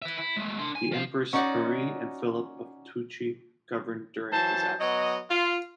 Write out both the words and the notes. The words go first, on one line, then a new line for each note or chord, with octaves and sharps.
The empress Marie and Philip of Toucy governed during his absence.
B4 E5
E4
G#3 A3
D4 C6
G#5
F3 F5
C#4 D#4 F#4 D5
E3 F#3 C5 A5
F#3 B3 D#5
F4